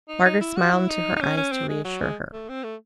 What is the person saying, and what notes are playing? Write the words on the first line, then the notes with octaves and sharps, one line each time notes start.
Margaret smiled into her eyes to re-assure her.
D#4
D#4
E4
F#4
E4
D#4
D#4
C#4
C#4
C4
G#3
F#3
G#3
A3
C4
A3